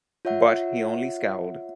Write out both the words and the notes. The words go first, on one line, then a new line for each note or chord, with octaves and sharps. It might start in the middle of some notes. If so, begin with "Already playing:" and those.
But he only scowled.
F4 C#5 E5 F#5